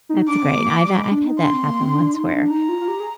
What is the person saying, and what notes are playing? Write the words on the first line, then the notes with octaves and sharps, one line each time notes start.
That's great. I've, uh, I've had that happen once where,
D#4
D4 D6
C4
A#3
G3
G#3
D4
D#4
D4 C6
C4
A#3
C4
D4
D#4
D4
D#4 A#5
F4
F4
G4
G#4